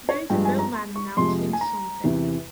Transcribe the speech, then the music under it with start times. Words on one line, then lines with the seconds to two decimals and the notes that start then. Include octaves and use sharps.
There is a bellman announcing something.
0.09 C#5
0.30 G2 F3 G#3 G5
0.45 G#5
0.59 A#5
0.74 C6
0.96 C#6
1.17 F2 C3 F3 G#3 C6
1.53 G#5
1.61 A#5
2.04 E2 C3 E3